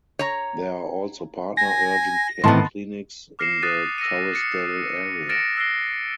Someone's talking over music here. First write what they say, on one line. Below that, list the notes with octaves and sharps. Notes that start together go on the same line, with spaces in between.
There are also partner urgent care clinics in the Torresdale area.
C#5 A#5
G#5 A#6
A2 D#3 E3 B3 C4 A5 C6
D6 F6 A#6 C7 C#7 E7
D#6 F#6 A6 C7 D#7
E6 A#6 C#7 D#7
C#7
F6 A6 A#6 C#7 D7 E7
E6 F#6 A#6 C7 D7 G7